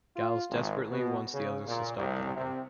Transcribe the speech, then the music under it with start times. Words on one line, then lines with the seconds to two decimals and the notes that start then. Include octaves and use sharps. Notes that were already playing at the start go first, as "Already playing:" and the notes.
Giles desperately wants the others to stop talking.
0.15 F4
0.49 G#1
0.90 B2
1.32 C#3
1.66 A#2
1.97 C2
2.36 C3